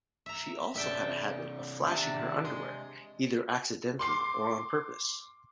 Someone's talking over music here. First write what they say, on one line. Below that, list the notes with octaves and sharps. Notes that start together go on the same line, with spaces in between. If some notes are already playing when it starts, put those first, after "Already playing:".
She also had a habit of flashing her underwear either accidentally or on purpose.
E5 A#5
C3 D4 E5 G5 A5
D#2 C3 D4 E5 A5
G#3 C6
C6 D6 C7